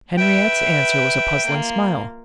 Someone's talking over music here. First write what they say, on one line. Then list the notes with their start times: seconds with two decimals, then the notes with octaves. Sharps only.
Henriette's answer was a puzzling smile.
0.17 B4 E5 G5
1.46 A#3 F4